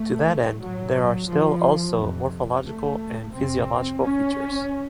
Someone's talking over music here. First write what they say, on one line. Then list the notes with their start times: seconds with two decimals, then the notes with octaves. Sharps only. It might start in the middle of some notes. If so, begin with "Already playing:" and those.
To that end, there are still also morphological and physiological features.
Already playing: A3
0.59 A2 F#3
1.28 F3
1.97 F2 C3
2.65 A3
3.34 F2 C3 C4
4.02 C#4